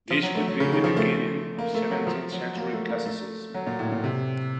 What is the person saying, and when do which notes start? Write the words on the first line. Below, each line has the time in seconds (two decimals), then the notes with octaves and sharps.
This would be the beginning of seventeenth century "classicism".
0.10 F3
0.23 F#3
0.35 A3
0.48 F#3
0.60 C#3
0.72 D#3
0.84 F3
0.97 A3
1.59 A#3
1.75 A3
1.91 F#3
2.07 F3
2.32 F#3
2.57 A#3
2.73 A3
2.89 A#3
3.06 A3
3.54 F#3
3.67 A#2
3.79 A2
3.92 A#2
4.04 C3